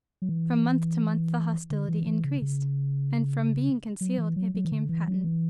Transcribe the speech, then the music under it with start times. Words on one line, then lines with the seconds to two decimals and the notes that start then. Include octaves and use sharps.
From month to month the hostility increased, and from being concealed it became patent.
0.22 F#3
0.29 E3
1.70 D3
1.88 E3
2.06 E3
2.24 C#3
2.42 C#3
4.01 F#3
4.18 E3
4.36 F#3
4.54 F#3
4.65 E3
4.72 D3
4.89 E3
5.08 F#3
5.24 E3